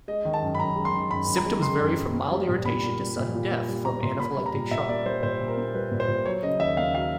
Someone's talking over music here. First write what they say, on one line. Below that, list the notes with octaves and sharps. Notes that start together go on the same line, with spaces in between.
Symptoms vary from mild irritation to sudden death from anaphylactic shock.
G#3 D#5
D#3
A5
F#2
B5
F#2 A#5
G#3
C6
D#3
F#2 B5
F#2
A#5
G#3
D#3 C6
F#2
F#2
A#3
G3
A#2
A#2 B5
A#3
G3
A#2
A#2
A#3
G3
A#2 A#5
A#2 C6
A#3 B5
G3
A#5
A#2
A#2 E5
A#3 D5
G3 C5
A#2 C5
A#2
A#4
A#3
G3 B4
A#2
C5
A#2
F#3 C#5
C#3 D#5
D#2 E5
A#3 F5
F#3 F5